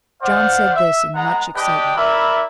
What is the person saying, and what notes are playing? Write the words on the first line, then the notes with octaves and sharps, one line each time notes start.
John said this in much excitement.
C5 D5 F5 F#5
E5
G#3 B3 F#5 A#5
D4 G4 B4 D#5 G5
E4 A#4 D5 E5 B5